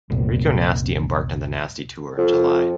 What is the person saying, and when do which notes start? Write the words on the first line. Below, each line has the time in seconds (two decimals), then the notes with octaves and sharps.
Rico Nasty embarked on The Nasty Tour in July.
0.10 F1 C2 A#2
2.18 F2